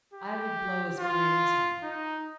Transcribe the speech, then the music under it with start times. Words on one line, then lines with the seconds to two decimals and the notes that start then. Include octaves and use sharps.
'I would blow his brains out.'
0.14 G4
0.98 F4
1.83 D#4